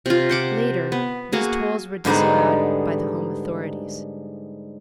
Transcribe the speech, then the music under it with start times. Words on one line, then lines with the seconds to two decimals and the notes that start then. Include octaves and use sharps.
Later these tolls were disallowed by the home authorities.
0.06 C3 F4
0.29 C5 F#5 D6
0.92 B3
1.32 A#3 F#4 G#4
2.05 G#2 D3 G3 B3 D#4